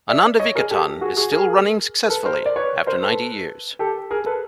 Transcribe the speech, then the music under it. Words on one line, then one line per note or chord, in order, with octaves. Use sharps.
Ananda Vikatan is still running successfully after ninety years.
D5 E5
C#5 D#5
G#4 A#4
G4 A4
F#4 G#4
F#4 G#4
G#4 A#4
A#4
A4 B4
A#4 C5
D5
B4 C#5
A#4 C5
A4 B4
G4 A4
G#4 A#4
A4 B4